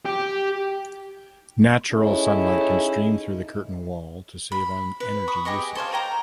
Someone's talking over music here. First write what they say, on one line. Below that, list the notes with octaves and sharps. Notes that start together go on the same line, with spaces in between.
Natural sunlight can stream through the curtain wall to save on energy usage.
G4
C#4 D#4 E4 G#4 A4 C#5
B5
B4
B5 C#6 D#6
G4 G#4 D#5 C#6
A4 C5 C#5 F5
A#4 G5 A#5 C6